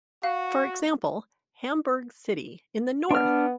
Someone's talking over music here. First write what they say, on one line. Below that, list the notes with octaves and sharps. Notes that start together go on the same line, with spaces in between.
For example, Hamburg - city in the North!
F#4 F5
B3 D4 F6